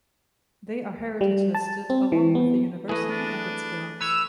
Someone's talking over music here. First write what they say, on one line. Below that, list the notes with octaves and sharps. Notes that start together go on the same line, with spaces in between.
They are heritage-listed along with the University and its grounds.
G3
A5
C4
E3
B3
E3 A3 G#4 B4 D#5
D4
B4 C#5 E6